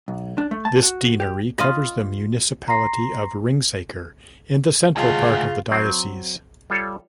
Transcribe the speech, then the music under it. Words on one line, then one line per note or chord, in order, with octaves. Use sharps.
This deanery covers the municipality of Ringsaker in the central part of the diocese.
B1
D4
A3
A5
F#4
G4
F4 D#5 B5
A#5 C6 A#6 C7
D2 C#3 G#3 F4
F#3 C4
G3 F4 A4 C#5